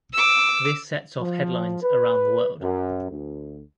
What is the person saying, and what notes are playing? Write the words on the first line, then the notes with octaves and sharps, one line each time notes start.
This sets off headlines around the world.
D6 E6
F3
B4
F#2
D2